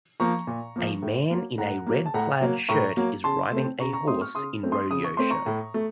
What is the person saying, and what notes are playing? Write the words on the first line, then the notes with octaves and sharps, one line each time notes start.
A man in a red plaid shirt is riding a horse in rodeo show.
F3 A#3 A#5 C#6
A#2
F3 A#3
A2
F#3 A#3
A2 F#5 A#5
F#3 A#3
A5
A2 F#5 A#5
F#3 A#3
A2 A#5 C#6
F#3 A#3
C#3 A5 C6
A3 C4
C#3 A#5 C#6
A#5 C#6
A3 C4 C6 D#6
C#6 F6
C#3 C6 D#6
A3 C4
C6 D#6
C#3 D#6
C#6
A3 C4 C6
A#5 C#6
A2
A3